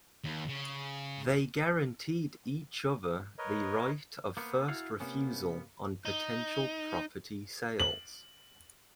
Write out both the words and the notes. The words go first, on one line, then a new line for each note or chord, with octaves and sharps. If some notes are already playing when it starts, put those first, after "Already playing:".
They guaranteed each other the right of first refusal on potential property sales.
D#2
C#3
A#4 B4 C#5 D#5
A#3 B3 C5
E4 F#4 A4 F5
C3 A#3 B3 C#4
D#4
F#7